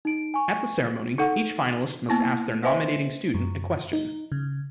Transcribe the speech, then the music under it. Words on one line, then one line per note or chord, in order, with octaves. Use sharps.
At the ceremony, each finalist must ask their nominating student a question.
D#4 D7
G#5 C#6
D#4 A4 F#5 C#6
A#3 B3 E4
B4 C5 D#5 E5 G#5 C6
F#2
D#4
C#3